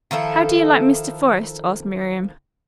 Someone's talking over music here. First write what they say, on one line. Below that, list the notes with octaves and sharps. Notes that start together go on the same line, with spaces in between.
"How do you like Mr. Forest?" asked Miriam.
D#3 F3 E4 A4